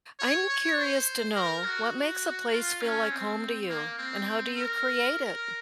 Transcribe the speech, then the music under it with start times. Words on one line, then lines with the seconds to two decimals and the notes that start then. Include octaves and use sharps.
I'm curious to know what makes a place feel like home to you and how do you create it?
0.19 C#5
0.49 C#5
0.77 C5
1.36 A#4
1.65 F#4
2.53 F4
2.82 C#4
3.11 C4
3.69 A#3
3.98 C4
4.56 A#4
5.15 A#4